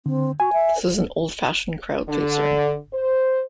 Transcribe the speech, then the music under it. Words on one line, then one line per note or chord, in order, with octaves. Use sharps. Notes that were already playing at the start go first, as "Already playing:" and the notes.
This is an old-fashioned crowd-pleaser.
D3 C4
F#4 G#5
E5
D3
C5